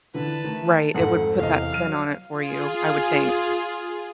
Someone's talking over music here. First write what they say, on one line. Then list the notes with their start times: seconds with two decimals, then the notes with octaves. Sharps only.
Right, it would put that spin on it for you, I would think.
0.14 D3 E3 B4 A5
0.44 D#3 A3
0.95 F2 G#2 A4 F#5
1.39 E2 C3 D#5 F5
1.73 F#3 F6 D#7
2.30 F4 G#4